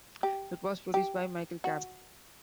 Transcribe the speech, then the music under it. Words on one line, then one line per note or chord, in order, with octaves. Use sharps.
It was produced by Michael Kapp.
G4
G4
F#4